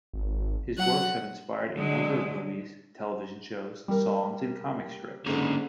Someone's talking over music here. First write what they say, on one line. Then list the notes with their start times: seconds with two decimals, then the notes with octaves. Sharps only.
His works have inspired a number of movies, television shows, songs and comic strips.
0.13 G#1
0.78 F#3 F#5
1.74 D3 F#3 G#3
3.88 G3 A#4
5.26 G#2 D3 A#3 C#4 G#4